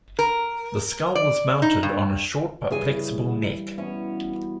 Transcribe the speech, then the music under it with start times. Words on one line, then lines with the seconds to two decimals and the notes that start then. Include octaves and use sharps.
The skull was mounted on a short but flexible neck.
0.19 A#4
1.15 D5
1.62 D#4
1.83 G2
2.70 G2 C#3 E3 G#4 G#5
3.78 B2 E3 C#4